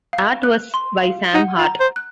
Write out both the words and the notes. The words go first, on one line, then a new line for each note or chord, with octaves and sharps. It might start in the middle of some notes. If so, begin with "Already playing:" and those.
Art was by Sam Hart.
F5
F#6
C6
F5
D#4 F#5
F4
A#5
C5
F#6